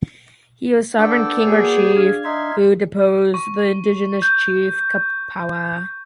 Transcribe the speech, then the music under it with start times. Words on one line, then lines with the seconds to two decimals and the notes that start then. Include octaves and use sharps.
He was sovereign king or chief, who deposed the indigenous chief, Kapawa.
0.98 B3 D4 A4 D5 G5
1.45 A#3 F#4 G#4 C#5 G#5
1.96 D4 F5 G#6
2.24 D#4 E5 C6
3.34 C#6
4.22 G6